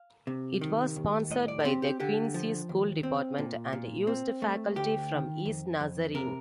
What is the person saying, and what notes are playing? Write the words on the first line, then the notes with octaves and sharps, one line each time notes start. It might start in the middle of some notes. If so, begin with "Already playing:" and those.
It was sponsored by the Quincy School Department and used faculty from Eastern Nazarene.
Already playing: F5
C3
D#3
D#2
A2 D#5
D5
A4
C4 G4
G4
D3 G4
F3
D#2
C4
A#2
A#2
C4
A3
D2 G4
D#3
F2
F2
C3 A#4